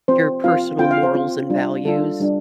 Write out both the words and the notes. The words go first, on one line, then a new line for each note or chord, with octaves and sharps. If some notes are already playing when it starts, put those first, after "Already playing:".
your personal morals and values,
C4 F4 C5
C4 F4 F5
C4 F4 G5
F5
C5
C4 F4
G3 D4 F4
G3 D4 F4 A4
G3 D4 F4